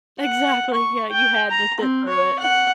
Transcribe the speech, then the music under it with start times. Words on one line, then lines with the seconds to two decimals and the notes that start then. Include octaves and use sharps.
Exactly, yeah, you had to sit through it.
0.20 F#5
0.74 C#6
1.12 G5
1.51 A#5
1.80 C4
2.09 C#5
2.39 F#5